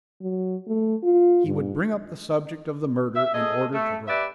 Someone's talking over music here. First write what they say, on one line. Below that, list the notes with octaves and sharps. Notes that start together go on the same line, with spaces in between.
He would bring up the subject of the murder in order to drop them.
F#3
A3
F4
G2
E5
G#4 A4 D#5
A3
G4 B4 D5 E5